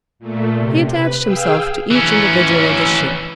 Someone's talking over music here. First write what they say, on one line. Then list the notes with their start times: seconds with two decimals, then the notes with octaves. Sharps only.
He attached himself to each individual of the ship.
0.19 A#2 A3
0.57 C3
0.91 B4
1.23 G#4 F5 G5 E6
1.91 E3 C#4